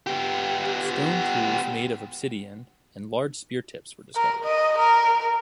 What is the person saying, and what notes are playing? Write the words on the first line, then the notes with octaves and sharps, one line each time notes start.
Stone tools made of obsidian and large spear tips were discovered.
B3 G4
A#4
D#5
A#4